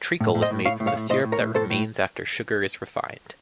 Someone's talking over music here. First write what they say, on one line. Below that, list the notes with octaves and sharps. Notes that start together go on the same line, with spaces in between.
Treacle is made from the syrup that remains after sugar is refined.
A2
A2
C5 D#5
A2
A2 C#5 F5
A2
C#5 F5
A2
A2 C5 D#5
A2
A#4 C#5
A2
A2 A4 C5
A2